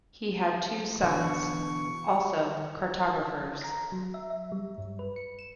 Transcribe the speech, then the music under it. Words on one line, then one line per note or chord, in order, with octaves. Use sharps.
He had two sons, also cartographers.
B2 D3 E3 C#6
A#5
F#3
E5
E5
G3
G2
B4
C#7
E7